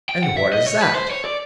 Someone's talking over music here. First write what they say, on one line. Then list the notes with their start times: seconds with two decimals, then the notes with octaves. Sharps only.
"And what is that?"
0.09 G5
0.23 F#5
0.38 E5
0.52 D#5
0.67 C#5
0.81 B4
0.95 C5
1.11 C#5
1.25 D5